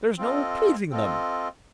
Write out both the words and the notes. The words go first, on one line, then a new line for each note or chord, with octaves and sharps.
There's no pleasing them!'
C4 F4 A4 D#5
C4 F4 A4 D#5